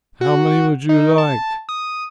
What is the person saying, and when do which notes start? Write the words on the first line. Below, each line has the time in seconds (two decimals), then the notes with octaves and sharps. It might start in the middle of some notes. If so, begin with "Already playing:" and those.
"How many would you like?"
0.21 F#4
0.89 D#4
1.18 A5
1.69 D#6